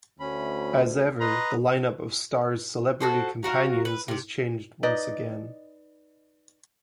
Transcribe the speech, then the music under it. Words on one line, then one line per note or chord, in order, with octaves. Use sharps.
As ever, the line-up of Starr's celebrity companions has changed once again.
D2 C#4 B5
B4 D#5 A#5 C6
F#4 A4 C5
F#3 F#4 A#4 F5
B4
C3 G4
D#4 B4 D5 D#5